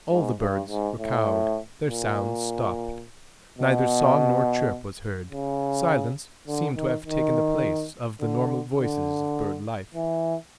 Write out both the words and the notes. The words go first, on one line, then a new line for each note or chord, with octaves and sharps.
All the birds were cowed; their sounds stopped. Neither song nor chirp was heard--silence seemed to have taken the place of the normal voices of bird life.
G#2
G2
G#2
A2
A#2
B2
C#3
D3
D#3
D#3
D3
D3
E3